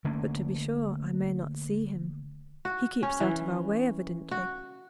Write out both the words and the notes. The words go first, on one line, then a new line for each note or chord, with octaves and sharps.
But, to be sure, I may not see him; he keeps out of our way evidently.
D3 A3 A#3 C#4
F#4
C#4
E3
F#4